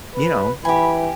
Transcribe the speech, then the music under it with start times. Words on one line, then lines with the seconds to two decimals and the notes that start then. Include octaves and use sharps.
you know,
0.15 B4
0.65 E3 G4 G#5 B5